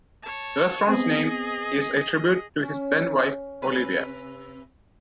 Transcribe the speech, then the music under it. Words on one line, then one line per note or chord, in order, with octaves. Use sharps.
The restaurant's name is a tribute to his then-wife, Olivia.
C#5 A5
B3 C4 G#4 D#5
C#4
C3 B4